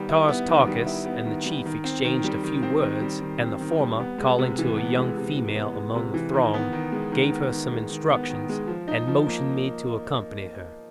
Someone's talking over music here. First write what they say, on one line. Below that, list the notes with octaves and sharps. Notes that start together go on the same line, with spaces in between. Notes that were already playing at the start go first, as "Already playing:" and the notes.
Tars Tarkas and the chief exchanged a few words, and the former, calling to a young female among the throng, gave her some instructions and motioned me to accompany her.
Already playing: D#3 G3 B3
E4
B3
D#3
G3
E4
B3
D#3
G3
D#3
C4
D#3
G3
D#3
C4
D#3
G3
D#3
C4
D#3
G3
B3
G#3
C3
E3
B3
G#3
C3
E3
B3
G#3
C3
E3
D#3
B3
D#3
G#3
D#3
B3
D#3
G#3
D#3
B3
D#3
G#3
F3
D#4
F3
A#3